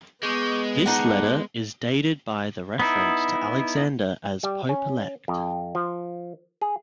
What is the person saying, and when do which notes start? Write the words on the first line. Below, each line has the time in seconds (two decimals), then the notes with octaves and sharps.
This letter is dated by the reference to Alexander as "Pope-elect".
0.23 G#3 B3 C#6 D6 G6
0.86 D#4 F#5 A5 D6 F#6
2.80 B3 D#4 E4
4.43 G3
4.69 C#4
5.28 F2
5.75 F3
6.61 G#4